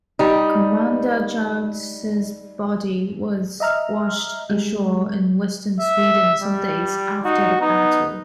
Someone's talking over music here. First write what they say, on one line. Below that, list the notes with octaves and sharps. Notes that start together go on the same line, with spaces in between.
Commander Jones' body was washed ashore in Western Sweden some days after the battle.
G3 D#4
D#5 E5 A#5 F6
G3 G#3
E5
G3
D#4 F#4
B3 D#4